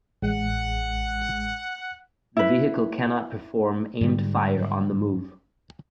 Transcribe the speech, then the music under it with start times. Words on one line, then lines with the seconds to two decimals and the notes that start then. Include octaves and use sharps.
The vehicle cannot perform aimed fire on the move.
0.22 A1 G#3 F#5
2.37 E4 B4
4.01 G#2 D3 G3